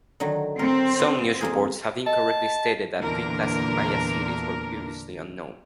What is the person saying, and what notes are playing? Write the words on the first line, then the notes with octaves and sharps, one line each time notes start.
Some news reports have incorrectly stated that Pre-Classic Maya cities were previously unknown.
D3 D#3 F#3
C4 A#4
B3 F#4
F2 A#3 G#4
D#5 A5
E2 A#2 D3 D4 A#4